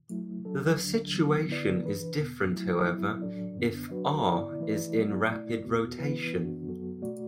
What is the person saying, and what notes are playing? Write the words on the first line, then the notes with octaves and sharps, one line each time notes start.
The situation is different, however, if "R" is in rapid rotation.
F#3 A3 E4
F#3 D4 A4
D2 D3 F#3 D4
D3 F#3 B3 D4
D3 B3 E4 B4 D5
E3 D4 B4
E2 B2 B3
F#3 A3 E4
F#3 B3 E4
A2 F#3 D4 A4 D5
F#2 D3 B3 D4
F#3 D4 F#4 B4
D3 B3 E4 D5
E3 A3 E4 B4 D5
F#3 B3 E4 D5
B2 A3 E4 D5
E2 B2 B3 F#4
E3 B3 E4 B4
F#2 E3 B3 D4 F#4
F#2 F#3 B3 F#4 A4
B2 A3 F#4 D5